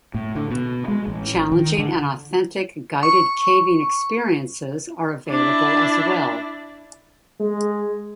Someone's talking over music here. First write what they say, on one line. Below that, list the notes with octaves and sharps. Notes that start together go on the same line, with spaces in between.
Challenging and authentic guided caving experiences are available as well.
A2
D3
B2
G#3
A1
D#3
D3
C#6
D4 E4
G#3